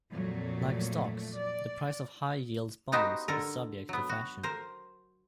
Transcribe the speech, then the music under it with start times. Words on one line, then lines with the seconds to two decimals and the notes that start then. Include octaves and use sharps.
Like stocks, the price of high-yield bonds is subject to fashion.
0.12 F2 A#2 F#3 A3
1.37 D5
2.92 B3 D#4 F#4 G4 C5
3.28 D3 A4 A#4
3.89 F#3 B3
4.09 F#4
4.43 A#4 C5